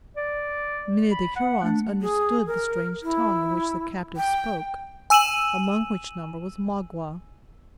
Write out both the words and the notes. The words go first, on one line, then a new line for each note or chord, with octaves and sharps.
Many of the Hurons understood the strange tongue in which the captive spoke, among which number was Magua.
D5
B5
F#5
A3 D4
G#4
A#4
E4
G5
G#5 E6 D#7 E7 F#7